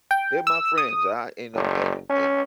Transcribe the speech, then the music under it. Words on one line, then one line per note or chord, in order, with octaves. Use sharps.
They're my friends. I you know, and and
G5
E6
D#6
F#1
C#4